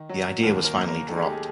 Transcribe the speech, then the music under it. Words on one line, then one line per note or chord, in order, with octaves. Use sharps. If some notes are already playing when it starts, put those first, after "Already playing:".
The idea was finally dropped.
Already playing: D#3
F#3
D#2 A#4
A#4
A#3
A#4
D#3 A4
G#4
G4
G#4